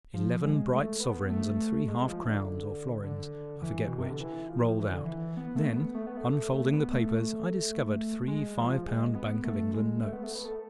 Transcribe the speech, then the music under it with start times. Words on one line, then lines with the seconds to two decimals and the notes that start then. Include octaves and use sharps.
Eleven bright sovereigns and three half-crowns or florins, I forget which, rolled out; then, unfolding the papers, I discovered three five-pound Bank of England notes.
0.14 F3
0.43 G#3
0.72 A3
1.00 B3
1.30 A3
1.88 G#3
2.08 F3
2.23 E3
2.27 D3
3.04 D3
3.62 E3
3.87 B2
3.98 C3
4.10 D3
4.20 E3
4.49 F3
4.79 E3
4.91 D3
5.05 E3
5.37 B3
5.56 A3
5.76 B3
5.95 A3
6.07 B3
6.17 A3
6.53 A3
6.73 B3
6.92 A3
8.28 G#3
8.57 F3
8.86 G#3
9.15 B3
9.44 A3
9.74 G#3
10.03 A3
10.13 B3
10.24 A3
10.35 B3
10.45 A3